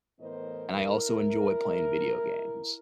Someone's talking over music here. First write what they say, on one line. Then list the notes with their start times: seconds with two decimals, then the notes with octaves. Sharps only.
and I also enjoy playing video games,
0.20 A2 E3 B3 A#4 C5 D#5
0.72 E4 A#4